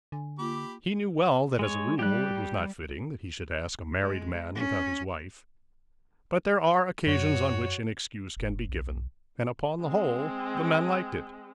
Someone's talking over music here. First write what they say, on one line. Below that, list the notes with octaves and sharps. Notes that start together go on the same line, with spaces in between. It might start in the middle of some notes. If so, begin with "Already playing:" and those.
He knew well that as a rule it was not fitting that he should ask a married man without his wife; but there are occasions on which an excuse can be given, and upon the whole the men liked it.
D3 G#5
A#3 F4 G4 B5 D6
G#3 C#5
G3 G4 F#6
G#3
C#4
F#2 F#4 C#5
F1
B1
G#3 C4